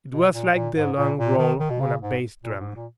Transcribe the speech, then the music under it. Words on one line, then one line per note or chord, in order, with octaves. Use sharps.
It was like the long roll on a bass drum.
B2
A#2
A#2
G#2
A#2
A#2
D#3
D#3
B2
C#3
G#2
A#2
G#2
A#2